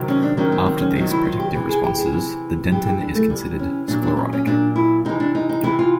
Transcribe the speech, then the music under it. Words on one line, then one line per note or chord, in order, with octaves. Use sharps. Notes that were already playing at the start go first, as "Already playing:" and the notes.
After these protective responses, the dentin is considered sclerotic.
Already playing: C3 D#3 F#3
C#4
D4
C3 D#3 F#3 C#4
C4
C4
C#4
C3 D#3 F#3 D#4
E4
F4
G4
C3 E3
G#4
G4
G#4
C3 E3
C3 E3 G4
G4
D4
A3
C3 E3 G3
C#4
A#2 F#3 D4
D4
C#4
C#4
A#2 F#3 D4
E4
C3 E3 D#4
D4
D#4
D#4
C3 E3 E4
F4